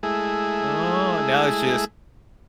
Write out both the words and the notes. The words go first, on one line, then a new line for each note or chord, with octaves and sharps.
Oh, and now it's just
G#3 A3 E4 G#4